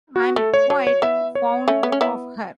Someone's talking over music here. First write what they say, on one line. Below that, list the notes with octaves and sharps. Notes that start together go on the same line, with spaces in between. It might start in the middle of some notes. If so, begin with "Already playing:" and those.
I'm quite fond of her.
F#4
A3 A4
C#5
F#3 C#5
C#5
B3 E4 E5
C#5
A3 C#4
B3
C#4
B3 E4